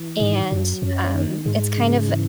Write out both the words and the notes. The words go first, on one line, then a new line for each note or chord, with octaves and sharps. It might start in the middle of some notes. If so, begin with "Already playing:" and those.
and, um, it's kind of
Already playing: E3
G#2 D#3
F#2 F#3
F#2 C#4
D#3
G#2 G#3
C#3
E3